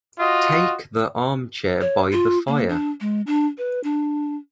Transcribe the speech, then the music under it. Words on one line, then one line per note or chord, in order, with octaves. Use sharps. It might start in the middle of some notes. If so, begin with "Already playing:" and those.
Take the armchair by the fire.
F4 F#4 D#5
C#5
F4
A#3
D4
G#3
D4
B4
D4